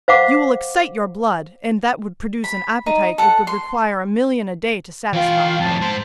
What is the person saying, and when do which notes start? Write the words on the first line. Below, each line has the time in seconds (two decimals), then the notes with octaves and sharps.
You will excite your blood, and that would produce an appetite it would require a million a day to satisfy.
0.08 C5 F5 F#5 D6
2.44 B5
2.86 D#4
3.18 A4 F#5
3.47 C6
5.13 E3 F4 G5
5.60 F2 A2 A5
5.81 G#2 C5